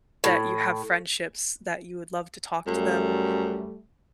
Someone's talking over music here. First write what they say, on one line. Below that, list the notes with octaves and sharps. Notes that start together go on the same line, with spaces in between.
that you have friendships, that you would love to talk to them
A2
F#2 G3 A3